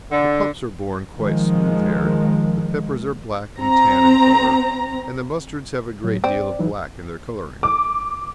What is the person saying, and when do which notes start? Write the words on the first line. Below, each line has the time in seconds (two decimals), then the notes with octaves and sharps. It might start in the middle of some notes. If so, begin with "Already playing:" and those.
The pups are born quite smooth-haired, the peppers are black and tan in colour, and the mustards have a great deal of black in their colouring.
0.11 D3
1.18 D#3 F3 G#3
3.60 C4 A#5
6.04 A2 F#3
6.24 C4 D5
6.59 E3 F#3 D#4
7.63 D6